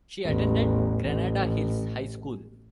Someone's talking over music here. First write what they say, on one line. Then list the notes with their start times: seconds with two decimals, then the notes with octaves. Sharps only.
She attended Granada Hills High School.
0.25 A1 E2
1.07 A1